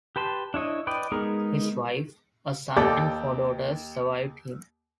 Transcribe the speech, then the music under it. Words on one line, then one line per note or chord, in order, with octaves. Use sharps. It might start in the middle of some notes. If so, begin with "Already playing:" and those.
His wife, a son and four daughters survived him.
G4 B4 A5 C6
D4 E4 C#5 D#5
B4 D5 D#5 G5
G#3 B3 D#4 G#4 A#4
D#2 G4 A4 D5 G5